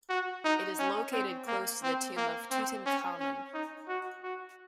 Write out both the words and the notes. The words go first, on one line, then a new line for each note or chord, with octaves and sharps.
It is located close to the tomb of Tutankhamun.
F#4
D#4
C#4
C4
A#3
C4
A#3
C4
C#4
C#4
D#4
F#4
F#4